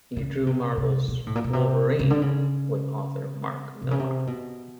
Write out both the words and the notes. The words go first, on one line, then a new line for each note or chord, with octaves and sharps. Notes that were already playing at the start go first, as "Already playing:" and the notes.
He drew Marvel's "Wolverine" with author Mark Millar.
C#3
C3
C3
B2
A2
A#2
B2
C3
C#3
D3
C#3
C3
C#3
C3
B2